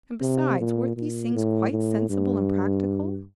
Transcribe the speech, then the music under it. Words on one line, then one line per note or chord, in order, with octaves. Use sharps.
And, besides, weren't these things quite sensible and practical?
C3
A#2
A#2
A2
A2
G2